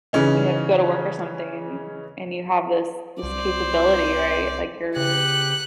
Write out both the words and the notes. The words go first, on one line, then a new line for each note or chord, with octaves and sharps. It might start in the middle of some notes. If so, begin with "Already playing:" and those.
You know, if you go to work or something, and you have this this capability, right? Like, your
C#3 E3 C#4 D#4
C2 C5 D5
C#3 G4 F#6 C#7